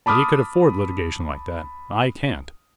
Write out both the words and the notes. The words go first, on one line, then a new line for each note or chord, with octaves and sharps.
He could afford litigation like that; I can't.
A5 B5 D6 D#6 F6